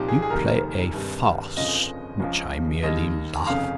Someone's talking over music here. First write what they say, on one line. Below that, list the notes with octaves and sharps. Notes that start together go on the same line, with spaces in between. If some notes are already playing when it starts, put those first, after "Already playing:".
"You play a farce, which I merely laugh at."
Already playing: C2 A#2 F3 D#4 G4
G#4
G#4
F1 D#2 D#3 G3 A#4
G#1 G2 G3
G1 F2 C#3 F3 D#5
C#2 C#3 F3
D#2 D#3 G3 D#5
F1 F2 C#3 F5